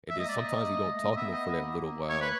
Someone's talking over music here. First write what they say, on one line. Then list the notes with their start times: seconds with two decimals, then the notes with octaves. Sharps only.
and then sometimes you don't talk to 'em for that little while,
0.10 G#3 E5
0.20 D#5
0.25 A#3 D5
0.38 D#5
0.71 A3
0.82 G#3
0.94 A3
1.05 A#3
1.12 D#5
1.17 B3 E5
1.33 D#5
1.64 A#3
2.09 A3 C#5
2.21 B4